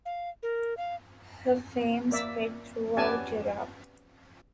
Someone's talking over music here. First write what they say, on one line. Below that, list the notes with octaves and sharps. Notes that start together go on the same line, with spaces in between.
Her fame spread throughout Europe.
F5
A#4
F5
A#3 D5 E5
B3 C#4 G4 D5 G#5 A5